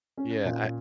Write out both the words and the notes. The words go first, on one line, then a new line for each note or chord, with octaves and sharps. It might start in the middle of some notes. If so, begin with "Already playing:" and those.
Yeah, I
C#4
A#2